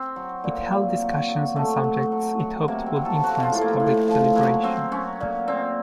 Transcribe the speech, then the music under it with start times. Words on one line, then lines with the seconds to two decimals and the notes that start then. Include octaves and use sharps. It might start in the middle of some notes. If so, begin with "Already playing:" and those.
It held discussions on subjects it hoped would influence public deliberation.
Already playing: C4
0.16 F#3
0.44 A#2
0.72 A#2
1.00 F#3
1.28 F#3
1.56 F#3 A3
1.84 F#3
2.12 F#3
2.40 F#3
2.68 C3 A#3
2.86 C4
2.96 F#3
3.05 A4
3.24 F3 F#4
3.43 F4
3.52 A2
3.61 A#3
3.80 A2
4.08 F3
4.36 F#3 A#3
4.63 F#3 C4
4.92 F#3 C#4
5.20 A#2
5.48 A#2 C4